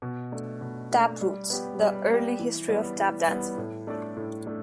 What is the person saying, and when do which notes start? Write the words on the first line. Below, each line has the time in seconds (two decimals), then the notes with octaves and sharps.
Tap Roots: The Early History of Tap Dancing.
0.02 B2
0.32 A3 D4
0.61 B2
0.92 A3 D4
1.21 G3
1.50 B3 G4
1.79 G3
2.09 B3 G4
2.39 E3
2.69 G3 B3
2.98 E3
3.28 G3 B3
3.58 A2
3.87 A3 D4 A4 D5
4.17 A2
4.47 A3 D4